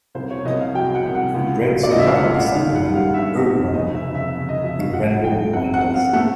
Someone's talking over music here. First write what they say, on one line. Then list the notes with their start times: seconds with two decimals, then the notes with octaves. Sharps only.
The Dreggs survived the sundering of Urgrund, but were rendered mindless.
0.15 C2 C5
0.31 C#5
0.45 C2 D#5
0.60 F5
0.75 F#3 G5
0.95 F#5
1.06 C2
1.15 F#5
1.34 C#2
1.65 F#3
1.83 D5
1.91 D#5
1.95 C#2 E5
2.07 F5
2.15 F#5
2.25 C#2
2.34 F5
2.55 D#3 F5
2.75 F#5
2.85 G3
2.95 F5
3.14 G2 E5
3.44 C4
3.74 F1 D#5
3.95 E5
4.04 C#3
4.15 E5
4.35 C#3
4.49 D#5
4.64 F3 E5
4.79 F5
4.93 F3 F#5
5.24 F3 G5
5.53 C4 F#5
5.74 F#5
5.84 C4
5.94 F5
6.13 A3 F#5